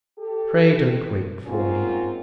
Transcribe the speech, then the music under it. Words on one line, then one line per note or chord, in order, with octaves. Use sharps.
Pray, don't wait for me.
G4 A4
G#2 A#3 C4 C#4 F4